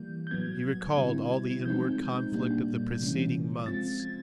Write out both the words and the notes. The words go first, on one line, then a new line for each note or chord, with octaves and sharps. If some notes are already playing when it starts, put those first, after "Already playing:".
He recalled all the inward conflict of the preceding months.
Already playing: E3 G3 A#3 G6
G6
A2 F#3 B3 G#6
D3 G3 C4 E4
F3 G#3 C4 D#4 G6
A#2 G3 A#3 D4
C3 E3 G#3 C#4
F3 G#3 C4 F4 A6
G#6